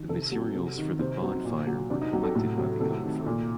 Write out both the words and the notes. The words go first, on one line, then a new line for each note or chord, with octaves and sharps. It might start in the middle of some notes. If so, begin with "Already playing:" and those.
The materials for the bonfire were collected by the young folk.
Already playing: D#3
C3 A4
F#3
C3
D#3
C3 C4
F#3
A#2
F#3
C3 D4
D#4
F#3 G4
A4
A2
F#3
C3 A4
D#3
A#2